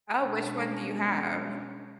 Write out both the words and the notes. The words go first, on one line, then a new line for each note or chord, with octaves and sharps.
Oh, which one do you have?
B2 G#3 C#4 D4